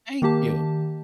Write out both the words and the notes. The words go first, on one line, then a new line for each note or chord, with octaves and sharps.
Thank you.
D#3 A#3 G4 A5